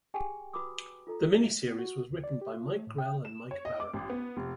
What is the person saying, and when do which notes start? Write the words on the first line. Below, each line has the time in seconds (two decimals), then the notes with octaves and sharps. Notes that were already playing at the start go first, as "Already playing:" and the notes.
The mini-series was written by Mike Grell and Mike Baron.
0.14 G4 G#4 G5 G#5
0.53 F#4 B4 B5 D6 D#6
1.07 F4 A4 A#5
1.67 B3
1.79 F#4
2.11 D2
2.24 D5
2.41 G4
2.54 F4
2.74 A3
2.87 A2
2.98 G5
3.25 E7
3.51 C#5
3.65 D#5
3.80 D6
3.93 A1
4.10 B3
4.37 F1